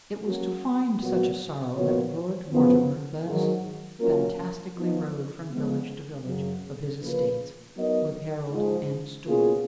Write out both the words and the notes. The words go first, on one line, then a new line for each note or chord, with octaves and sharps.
It was to find such a sorrow that Lord Mortimer thus fantastically rode from village to village of his estates, with herald and steward.
F#3 A#3 C#4 F#4
A#2 F#3 B3 F#4
A#2 F3 B3 F#4 C#5
F#2 C#3 F3 B3
G#2 D#3 F#3
F#3 A#3 C#4 F4 A#4
F3 B3 D#4
F3 G#3 B3
F#2 C#3 F#3
C#3 F3 A#3 F4 B4
F#3 B3 D#4 A#4 D#5
G#2 F3 G#3
B2 A#3 C#4 F4 G#4